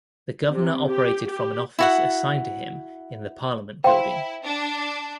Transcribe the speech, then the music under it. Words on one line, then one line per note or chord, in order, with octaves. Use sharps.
The Governor operated from an office assigned to him in the Parliament Building.
C3
G4
G4
E4 F#4 F#5
E4 C5 F5 G5 C6
D4